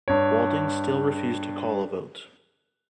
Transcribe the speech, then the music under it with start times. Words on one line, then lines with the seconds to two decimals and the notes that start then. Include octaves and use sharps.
Walding still refused to call a vote.
0.08 G2 C#5